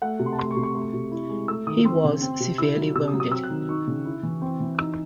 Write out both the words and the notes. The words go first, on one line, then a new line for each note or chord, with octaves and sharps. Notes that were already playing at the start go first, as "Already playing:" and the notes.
He was severely wounded.
A3 F#5
C3
C6
A5
A3 C6
C#6
C3
C#6
A3
C3
E4
G#3
A3 E6
D#3 D#6
C4 C6
C#3
C4
C3
E4 E6
F#3
C3 E6
D#6
F#3
D#6
C4 E6
F#6
D#3
D#4 C#6
C#3
E4
E3
C4
E3
D#4 E6